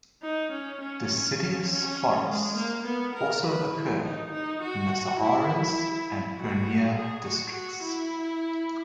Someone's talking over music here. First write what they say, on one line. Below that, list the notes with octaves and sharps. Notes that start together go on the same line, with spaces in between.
Deciduous forests also occur in the Saharsa and Purnia districts.
D#4
C#4
C#4
C#4
G#3
A#3
B3
A#4
B4
E4
D#4
D#4
F#4
E4
F#4
G#4
F#4
F#4
E4